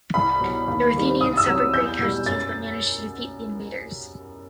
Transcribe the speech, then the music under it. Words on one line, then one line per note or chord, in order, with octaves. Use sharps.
The Ruthenians suffered great casualties, but managed to defeat the invaders.
C2 B5
B2 F#3
D#2
D#3 G3
C2 D#6
E6
C3 F#3
E2 G6
B2 G3
F#2 A6